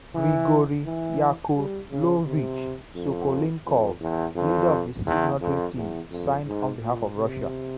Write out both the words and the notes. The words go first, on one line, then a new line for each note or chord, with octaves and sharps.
Grigori Yakovlovich Sokolnikov, leader of the signatory team, signed on behalf of Russia.
E3
E3
G3
C#3
C3
F2
F2
E2
F2
E2
F2
E2
F2
G#2
A#2
C3